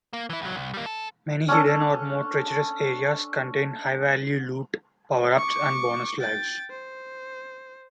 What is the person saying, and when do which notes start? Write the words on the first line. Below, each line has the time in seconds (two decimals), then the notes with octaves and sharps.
Many hidden or more treacherous areas contain high-value loot, power-ups and bonus lives.
0.13 A#3
0.30 E3 E4
0.42 C#2 F#3
0.55 C2
0.74 G3 A#3
0.86 A4
1.48 C#4 D4 A4
5.37 C#6 D6
6.20 G5 A6
6.70 C5